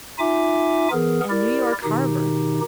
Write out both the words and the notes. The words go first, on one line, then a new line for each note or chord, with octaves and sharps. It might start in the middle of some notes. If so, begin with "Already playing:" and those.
And New York harbour!
D#4 F4 E5 G#5 D6
E3 B3 G#4 A#4
E4 G4 A#4 D5
B2 D#3 D#4 G4